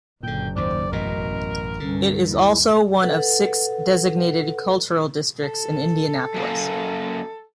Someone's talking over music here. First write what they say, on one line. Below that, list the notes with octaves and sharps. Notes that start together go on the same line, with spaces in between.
It is also one of six designated cultural districts in Indianapolis.
F#1 A#2 D3 G5
D#2 G#2 C5 D5
A1 F#2 B2 A#4 D#5
C2 G2 D3 C#4
D#2 E4
A4 B4 F#5
A4
F#2 A#3